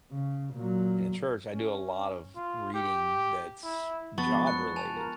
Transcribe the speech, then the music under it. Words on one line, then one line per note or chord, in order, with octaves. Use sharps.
in a church. I do a lot of reading that's job-related.
C#3
A#2 F#3
C#4
F4
G4
E4
F3 B3 A5 C#6 A6
F3 G#3 D4
C#6 F#6 C#7
G#5 A5 F7
F4 A#4